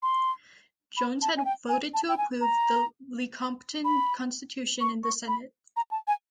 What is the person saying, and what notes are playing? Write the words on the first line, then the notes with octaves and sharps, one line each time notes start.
Jones had voted to approve the Lecompton Constitution in the Senate.
C6
B5
A5
G#5
G5
G#5
A5
G5
G#5
A#5
B5
C#6
C#6
B5
A#5
A5
G#5